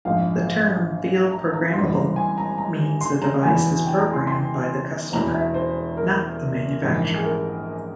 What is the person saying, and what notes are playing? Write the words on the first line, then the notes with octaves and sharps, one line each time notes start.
The term "field-programmable" means the device is programmed by the customer, not the manufacturer.
A#1 G#2 F3 F5
A#5
A#5
G#1 G2 E3 C6
A#5
G#5
A#5
A#5
C6
A#5
E1 E2 E3 G#5
G5
A#5
C6
C6
E1 E2 E3 A#5
E5
C5
A#4
A#1 G#2 E3
G#4
A#4